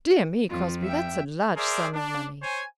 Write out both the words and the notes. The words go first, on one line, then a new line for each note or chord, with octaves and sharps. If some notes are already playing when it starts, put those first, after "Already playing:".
"Dear me, Crosbie; that's a large sum of money."
F2 F4
E5 G5
G#4 A#4 C5 D5 E5
D4
C5 C#5 G#5